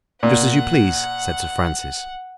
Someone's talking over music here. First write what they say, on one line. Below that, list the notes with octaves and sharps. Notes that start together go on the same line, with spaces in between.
"Just as you please," said Sir Francis.
A#2 F#5